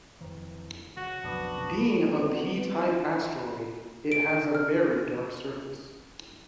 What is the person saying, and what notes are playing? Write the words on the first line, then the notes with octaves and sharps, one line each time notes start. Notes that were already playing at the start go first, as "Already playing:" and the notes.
Being a P-type asteroid, it has a very dark surface.
F2 D#3 E3
C#3 F#4 F#5
B1 F2 D#3 B3 D4
G4
B3 C4 D#4
F#4
B4
D#5
D7
F6